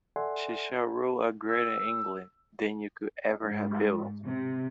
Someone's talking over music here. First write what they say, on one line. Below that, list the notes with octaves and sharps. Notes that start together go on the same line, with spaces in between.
She shall rule a greater England than you could ever have built.
A4 D5 E5 F#5 G#5 C6
E6
G#2
C3